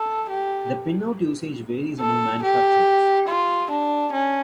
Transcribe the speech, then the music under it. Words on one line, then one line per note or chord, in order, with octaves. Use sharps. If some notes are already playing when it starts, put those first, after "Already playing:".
The pinout usage varies among manufacturers.
Already playing: A4
G4
A4
G4
F4
D4
C#4